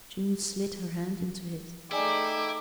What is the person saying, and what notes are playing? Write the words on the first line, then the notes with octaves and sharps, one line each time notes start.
June slid her hand into his.
A3 D#4 E4 G#4 D5 G5 G#5 D6